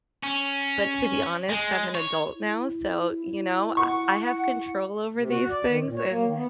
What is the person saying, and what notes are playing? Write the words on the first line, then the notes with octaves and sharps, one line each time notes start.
but to be honest, I'm an adult now, so, you know, uh, I have control over these things and
C#4
G#3
C#5
E4
F#5 C#6
C3
F#4
D5
D#3
A#2
C#5
A#3
D#3
B3